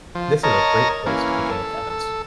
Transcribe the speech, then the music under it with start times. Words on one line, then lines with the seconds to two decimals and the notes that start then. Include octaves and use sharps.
This is a great place to begin with Evans.
0.15 F3
0.43 A#4 C#5 D#5 A5 A#5
1.06 E3 A#3 C#4
1.51 A4
1.90 A4